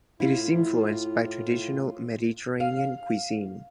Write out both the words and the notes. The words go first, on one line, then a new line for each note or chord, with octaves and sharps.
It is influenced by traditional Mediterranean cuisine.
A2 E4 F4 F5
F5